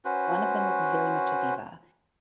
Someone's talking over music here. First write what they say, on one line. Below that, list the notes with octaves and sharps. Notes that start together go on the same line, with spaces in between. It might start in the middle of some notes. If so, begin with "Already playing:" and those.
one of them was very much a diva,
C#4 F#4 B4 C5